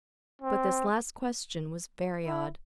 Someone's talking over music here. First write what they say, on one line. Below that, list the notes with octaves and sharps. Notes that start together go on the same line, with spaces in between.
But this last question was very odd.
C4
E4